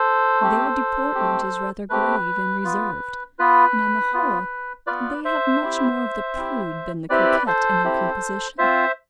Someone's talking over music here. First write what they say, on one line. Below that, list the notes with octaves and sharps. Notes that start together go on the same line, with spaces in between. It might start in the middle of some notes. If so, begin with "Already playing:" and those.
Their deportment is rather grave and reserved; and, on the whole, they have much more of the prude than the coquette in their composition.
Already playing: A4 C5
A3 C4 G4
A3 C4 G4
A3 C4 G4 B4
B3 F4
B3 F4 B4
B3 F4
B3 F4 B4 D5
C5 E5
C4 E4 G4
C4 E4 G4
C4 E4 G4 B4 D5
A4 C5
C4 E4 G4
C4 F4 C5 E5